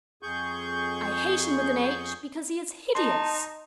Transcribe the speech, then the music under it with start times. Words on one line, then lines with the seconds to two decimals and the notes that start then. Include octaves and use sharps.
I hate him with an H, because he is Hideous.
0.23 F2 G#4 C#6 G6
2.95 D#4 A5 C6